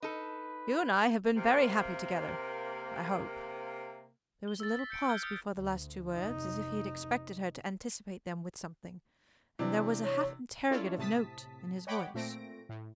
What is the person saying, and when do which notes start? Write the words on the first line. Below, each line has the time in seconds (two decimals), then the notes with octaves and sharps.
"You and I have been very happy together--I hope." There was a little pause before the last two words, as if he had expected her to anticipate them with something, and there was a half interrogative note in his voice.
0.02 D#4 A4 B4
1.36 C3 A#3
4.48 G7
4.60 E6 A6
4.79 B6
4.90 G6 C#7 D7
5.09 F6 G6 G#6 D7 G7
5.23 D#6 F6 C#7
5.56 D2
6.15 F1 D#4
9.59 C3 E3 D4
10.04 C#5
10.71 C#4 E4 F4 A4 C#5 D5
10.98 A2 C3 A5 D#6 B6
11.87 C#5 D#5 F#5 G5 B5 D6
12.14 A#2 A3 C4 A#6 D7
12.69 A2